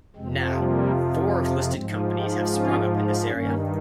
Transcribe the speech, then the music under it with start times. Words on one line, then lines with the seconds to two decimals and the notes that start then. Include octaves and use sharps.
Now four listed companies have sprung up in this area.
0.16 F2 C3 F3 G#3 C4
0.56 G3 A#3
1.73 G#2 F3 G#3 C4
2.13 D#4 G4
2.52 C#4 F4
3.31 G2 D#3 A#3 C#4